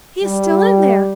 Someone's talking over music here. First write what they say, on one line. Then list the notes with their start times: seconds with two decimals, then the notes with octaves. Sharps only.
'He is still in there!
0.24 G3